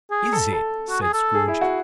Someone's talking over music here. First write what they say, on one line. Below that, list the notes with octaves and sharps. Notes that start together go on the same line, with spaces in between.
"Is it?" said Scrooge.
G#4
A4
A4
F#4
G#4
A4
G#4
E4
F#4